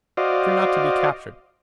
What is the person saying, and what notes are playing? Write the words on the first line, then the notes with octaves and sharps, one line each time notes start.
Fear not to be captured.
F#4 C5 D5 D#5 F5